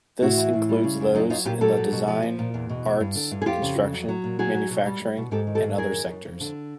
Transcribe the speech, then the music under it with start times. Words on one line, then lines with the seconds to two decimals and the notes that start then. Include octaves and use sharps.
This includes those in the design, arts, construction, manufacturing and other sectors.
0.22 A2 E4 F#4
0.37 E3
0.53 A2
0.69 G3
0.84 C#3
1.00 F#2
1.14 F#3 D#4 F4
1.30 F#3 D#4 F4
1.45 A#2 F4 G4
1.61 F#3 G4 A4
1.77 F#3
1.92 B2
2.08 F3
2.23 F3
2.39 A#2
2.54 E2
2.69 B2
2.85 E2
3.00 G2
3.16 D3
3.31 G2
3.42 G#4
3.46 F2 F4 G4
3.62 C#3
3.78 F2
3.93 F#3
4.09 F#3
4.24 A#2
4.39 F#3 F#4 G#4
4.55 F#3
4.70 B2
4.86 G3
5.02 G3
5.17 B2
5.31 G#2 G4 A4
5.47 D#3
5.55 G4 A4
5.62 G#2
5.78 F#2 G#4 A#4
5.93 D#3
6.10 F#2
6.25 F2
6.40 D3